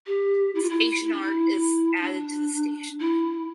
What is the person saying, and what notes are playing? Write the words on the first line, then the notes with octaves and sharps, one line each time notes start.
Station art is added to the station.
G4
E4
F4
E4
E4
D4
E4
E4
D4
E4